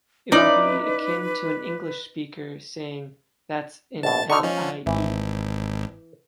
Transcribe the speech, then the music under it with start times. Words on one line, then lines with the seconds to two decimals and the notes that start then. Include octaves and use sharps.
It would be akin to an English speaker saying That's an L-I-E.
0.32 C#4 D#4 E4 B4 D5
4.03 A#1 B2 A5 A6
4.30 D3 D#4 F#4 C#6 F6
4.43 F3 C#4 D#5
4.86 G#1 E3